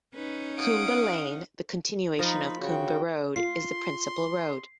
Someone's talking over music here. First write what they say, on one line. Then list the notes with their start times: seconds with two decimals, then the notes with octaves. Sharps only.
Coombe Lane, the continuation of Coombe Road, is the principal road.
0.15 C#4 D#4 B4
0.58 F5 F#5 D#6 D7
2.19 F3 D#4 A#4 B5
2.60 C#3 F#4 G5
3.36 F4 C6 C7